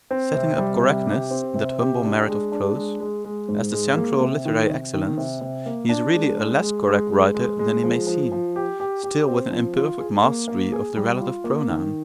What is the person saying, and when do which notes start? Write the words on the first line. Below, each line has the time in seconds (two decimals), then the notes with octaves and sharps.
Setting up correctness, that humble merit of prose, as the central literary excellence, he is really a less correct writer than he may seem, still with an imperfect mastery of the relative pronoun.
0.11 C4
0.35 C3
0.58 G3
0.83 C3
1.07 G4
1.31 C4
1.55 C3
1.79 G4
2.04 D4
2.28 G#3
2.52 D4
2.75 G#3
3.00 G#3
3.25 G#3
3.49 G#2
3.72 G#3
3.96 A#3
4.21 C3
4.45 D#3
4.70 C3
4.94 D#3
5.17 C3
5.41 C3
5.66 A#3
5.89 D4
6.14 G#3
6.38 G#3
6.62 G#3
6.86 G#3
7.10 G#3
7.34 G#3
7.59 G#3
7.83 F3
8.07 F3
8.32 F3
8.56 G4
8.80 G4
9.03 G4
9.28 C4
9.51 F3
9.76 F4
10.00 G#4
10.24 A#3
10.48 A#3
10.72 G#4
10.97 G3
11.21 F4
11.44 A#3
11.69 D#3